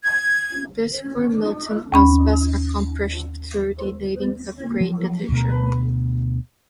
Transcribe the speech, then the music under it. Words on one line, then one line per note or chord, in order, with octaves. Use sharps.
This, for Milton, was best accomplished through the reading of great literature.
G#6
D#2 C#4 B5
F3 F#3
D2 B2